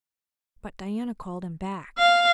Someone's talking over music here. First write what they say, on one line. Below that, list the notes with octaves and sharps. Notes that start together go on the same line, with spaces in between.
But Diana called him back.
F5